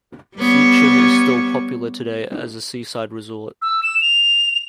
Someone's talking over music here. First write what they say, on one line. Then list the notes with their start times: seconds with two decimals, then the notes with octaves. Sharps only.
Heacham is still popular today as a seaside resort.
0.37 G3 B3 C#5
3.62 E6
3.83 E7
4.01 F7